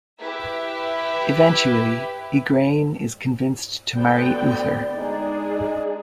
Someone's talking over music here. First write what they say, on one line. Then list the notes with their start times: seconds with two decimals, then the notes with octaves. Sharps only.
Eventually Igraine is convinced to marry Uther.
0.21 E4 G4 B4 E5
3.95 D2 B3 C4 D5 G5
4.96 G#3 D4 D#4 G#4